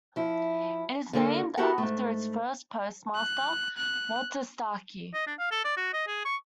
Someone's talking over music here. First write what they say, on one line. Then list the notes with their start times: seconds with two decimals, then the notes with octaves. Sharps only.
It is named after its first postmaster, Walter Starkey.
0.16 F3 E4
1.13 D3 A#3 A4 A#4
1.57 E4 F#4 G4 A4 A#4 F#5
1.78 G#2 A3
3.15 F#6
3.78 F#6
5.14 D#5
5.27 D4
5.39 F5
5.51 A4
5.64 D5
5.77 F#4
5.93 D#5
6.07 G#4
6.25 C#6